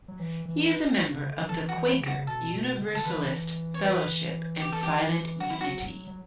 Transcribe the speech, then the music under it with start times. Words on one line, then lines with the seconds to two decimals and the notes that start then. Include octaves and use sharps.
He is a member of The Quaker Universalist Fellowship and Silent Unity.
0.08 F#3
0.19 E3
0.45 E3
0.71 B4
0.97 C#5
1.10 C#3
1.29 D3
1.42 F#3
1.49 E3 A4
1.69 F#4
1.75 E3
1.88 E4
2.01 C#3
2.08 F#4
2.18 C#3
2.27 B2 A4
2.53 B2
2.79 D3
2.95 D3 A4
3.05 E3 B4
3.74 C#5
3.84 B4
4.62 G4
4.72 A4
4.83 G4
5.40 F#3 F#4
5.50 E4
5.61 F#4
6.07 F#3